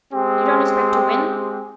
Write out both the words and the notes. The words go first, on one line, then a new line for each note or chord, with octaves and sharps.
"You don't expect to win?"
G#3 C4 G4